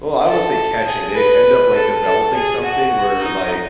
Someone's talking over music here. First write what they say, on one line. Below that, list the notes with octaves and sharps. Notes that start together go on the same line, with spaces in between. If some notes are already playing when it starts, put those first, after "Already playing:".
well, I won't say catching, they end up, like, developing something where, like
A4
G#4
B4
A4
A4
G#4
F#4
D#4